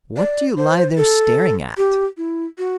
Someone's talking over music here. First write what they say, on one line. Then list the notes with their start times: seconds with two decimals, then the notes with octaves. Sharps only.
'What do you lie there staring at?'
0.17 D5
0.58 C5
0.97 A4
1.77 G4
2.17 E4
2.58 F#4